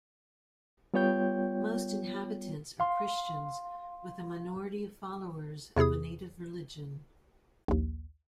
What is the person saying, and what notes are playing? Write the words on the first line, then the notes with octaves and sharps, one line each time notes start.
Most inhabitants are Christians with a minority of followers of a native religion.
G3 B3 F4 C#5 G5 G6
F5 C6
E2 C3 E4 G#4 D#6
A#1 D#2